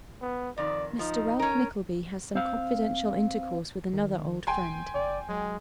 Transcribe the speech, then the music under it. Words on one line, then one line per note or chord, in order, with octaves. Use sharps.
Mr Ralph Nickleby has some confidential Intercourse with another old Friend.
B3
F2 D#3 D5
F3 D#4
C#4 A#4
C4 F5
D#3
E1 G5 G#5 C6
F#1 D5
F#3 G#3